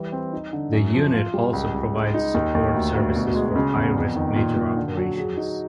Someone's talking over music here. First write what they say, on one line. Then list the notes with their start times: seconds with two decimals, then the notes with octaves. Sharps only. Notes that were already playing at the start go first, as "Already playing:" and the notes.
The unit also provides support services for high-risk major operations.
Already playing: E3 G3
0.12 C4
0.33 D#4
0.53 D3
0.73 F#2
0.93 F3
1.13 F4
1.34 G3
1.53 C#2
1.74 C#2
1.94 G#3
2.14 D#4
2.34 D#2
2.55 D#2
2.74 D2
2.95 D2
3.15 B2
3.35 G#3
3.56 C#3
3.76 E2
3.95 F2
4.16 D#3
4.36 A#2
4.56 A#2
4.77 D3
4.97 F#3
5.17 G#4
5.37 D#4